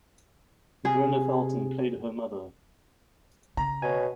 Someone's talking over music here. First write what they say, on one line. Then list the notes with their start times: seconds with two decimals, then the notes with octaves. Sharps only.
Verna Felton played her mother.
0.85 C3 G#4
3.57 C#3 A#5
3.82 B2 C#5 G#5